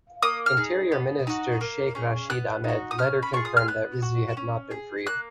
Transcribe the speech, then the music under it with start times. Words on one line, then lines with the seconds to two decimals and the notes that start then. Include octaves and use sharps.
Interior Minister Sheikh Rasheed Ahmad later confirmed that Rizvi had not been freed.
0.23 A#3 D#6
0.46 F6
0.57 D#4 G#4
0.92 B3
1.27 D#4 F#4
1.61 A#3
1.95 C#4 G#4
2.30 B3 F#6
2.64 D#4 F#4
2.91 D#6
2.98 C#4 F6
3.23 B5
3.33 F4 G#4 C#6
3.45 D#6
3.57 F6
3.68 B3 F#6
4.02 F#4
4.37 C#4
4.71 G#4
5.06 A#3 F#6